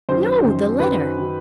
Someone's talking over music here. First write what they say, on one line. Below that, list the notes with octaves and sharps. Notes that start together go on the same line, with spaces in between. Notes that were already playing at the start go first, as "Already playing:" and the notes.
"No; the letter."
F#2 D#3 F#3 C5
F#2 D#3 F#3
F#2 D#3 F#3 B4
D#3 F#3